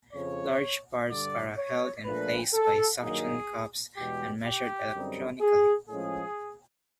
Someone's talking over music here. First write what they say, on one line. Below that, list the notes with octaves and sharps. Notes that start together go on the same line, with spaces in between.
Large parts are held in place by suction cups and measured electronically.
F2 C#3 F3 C#5
G2 D3 G3 D5
C#5
A#2 F3 A3 D4 B4
A4
G2 D#3 F#3 A#3 D#4 G#4
E2 B2 G#3 G4
G4
F#2 D3 G3 C4 D#4
G#4
A2 F3 G#3 C#4 G#4